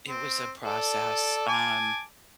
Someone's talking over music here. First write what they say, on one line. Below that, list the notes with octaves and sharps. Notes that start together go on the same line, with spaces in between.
It was a process, um
C4
A4 D5
G#5 A5 D6